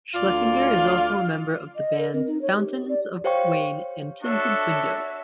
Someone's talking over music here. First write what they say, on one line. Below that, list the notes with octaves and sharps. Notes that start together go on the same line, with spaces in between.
Schlesinger is also a member of the bands Fountains of Wayne and Tinted Windows.
D2 F4 D5 F5
D#5
A#4
C4
D#4
C#5
G4
D5
G4 C5 C#5 F5 G5 C#6
D4 F#4 A4 C#5 E5